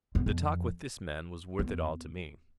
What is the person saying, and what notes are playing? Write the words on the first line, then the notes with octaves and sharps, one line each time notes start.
The talk with this man was worth it all to me.
E2
F2
E2